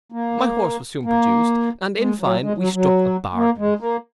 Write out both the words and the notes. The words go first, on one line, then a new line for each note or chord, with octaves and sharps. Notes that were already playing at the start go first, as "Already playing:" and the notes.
My horse was soon produced, and in fine we struck a bargain.
A#3
A#3
G#3
F#3
G#3
F#3
F#3
A#3
G#3
A#3